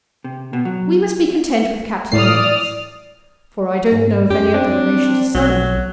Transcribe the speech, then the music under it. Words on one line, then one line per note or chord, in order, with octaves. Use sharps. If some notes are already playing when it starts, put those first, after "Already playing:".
We must be content with Captain Lennox; for I don't know of any other relation to summon.'
C3
B2
F#3
A2 D5 D#6 F6 C7
G#2
F#2 G4
C4 D4
B1 F#3